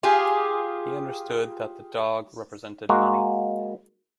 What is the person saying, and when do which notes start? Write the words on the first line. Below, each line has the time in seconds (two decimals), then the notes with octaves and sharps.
He understood that the dog represented money.
0.03 F4 G4 G#4
2.89 G#3 A#3 F#4